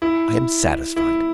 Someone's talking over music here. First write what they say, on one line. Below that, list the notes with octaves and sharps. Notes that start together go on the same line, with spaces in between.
I am satisfied.
E4
E4